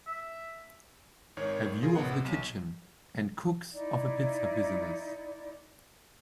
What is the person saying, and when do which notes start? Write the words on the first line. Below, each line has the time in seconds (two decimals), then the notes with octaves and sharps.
A view of the kitchen and cooks of a pizza business.
0.07 E5
1.37 G#1 D#3 C#5
1.82 F4 G#4 A#4
1.96 A1 B3 F#5
2.10 C3
2.25 B1
3.73 D#4 E4 D5